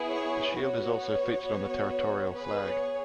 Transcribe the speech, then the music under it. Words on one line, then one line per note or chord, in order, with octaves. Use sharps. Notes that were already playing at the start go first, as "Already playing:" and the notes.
The shield is also featured on the territorial flag.
Already playing: B3 E4 G#4
C#5
B3 F#4 C#5
B3 F#4
B3 G#4 B4
C#5